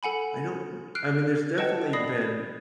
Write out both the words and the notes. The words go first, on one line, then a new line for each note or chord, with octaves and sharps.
I don't I mean, there's definitely been
A4 F#5 G#5 B5
F6 F#6 C7 D7
B4 D#5 F#5 G5 A5
D5 B5 D#6 A#6 C7